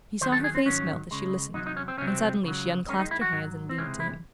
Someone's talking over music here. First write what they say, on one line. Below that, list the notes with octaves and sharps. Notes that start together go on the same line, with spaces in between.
He saw her face melt as she listened, and suddenly she unclasped her hands and leaned to him.
D#2 D#3 F#3 C5
A4
G#4
C4
G#2 D#3 F#3 C#4
C#2 C#3 G#3
E2 C3 F#3 D#4
D#4
C#4
C4
C#2 C3 F#3 C#4
C4
C#2 C#3 F#3
D#2 D#3 G#3 C#4
D#4
E4
F#4
G#2 F#3
C4
C#2 C3 E3 G#3 C#4
E4